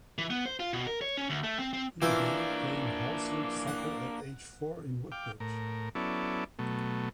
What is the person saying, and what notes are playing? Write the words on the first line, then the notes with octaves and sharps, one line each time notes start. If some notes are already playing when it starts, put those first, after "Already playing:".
He began playing house league soccer at age four in Woodbridge.
E3
B3
C5
F4
B2
A#4
C#5
C#4
D2
A3
C4
C4
E3 A#3 D4 F4 C5 E5
F#5
F5 G5 D6
A2 A#4
F#3 B3 C#4 E4 A4 D5
B2 F#3 A3